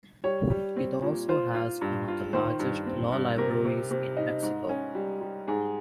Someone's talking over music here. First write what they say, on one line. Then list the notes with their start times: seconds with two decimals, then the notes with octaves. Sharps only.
It also has one of the largest law libraries in Mexico.
0.24 G3 C#5
0.50 G3
0.76 C4
1.02 A#2
1.29 F4 C5
1.54 F4
1.81 G2
2.08 F4
2.33 D#3 C5
2.59 G2
2.86 C4
3.12 G2
3.38 C3 A#4
3.65 C3
3.91 C3
4.17 D#4
4.42 G#2
4.69 C#4
4.95 G3
5.21 G3
5.48 G#2 G#4